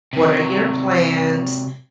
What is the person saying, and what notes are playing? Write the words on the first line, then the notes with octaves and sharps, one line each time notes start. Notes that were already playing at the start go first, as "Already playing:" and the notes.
What are your plans?
C3 F#3